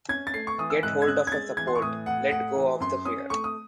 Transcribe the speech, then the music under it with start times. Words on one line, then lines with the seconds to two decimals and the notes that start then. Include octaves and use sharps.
Get hold of a support - let go of the fear.
0.09 C#4 G#6
0.27 A6
0.34 A3 C7
0.47 C#6
0.58 E3 D#6
0.70 E6
0.83 G#2 F#6
1.02 G#6
1.08 C#4 F#6
1.27 G#6
1.32 G#3 A6
1.57 E3 G#6
1.67 C6
1.75 C#6
1.82 A2 D#6
2.06 A2 F#5
2.31 A3 F#5
2.56 E3
2.80 F#2 C6
3.05 C#4 D#6
3.30 A3 C#6
3.44 D#6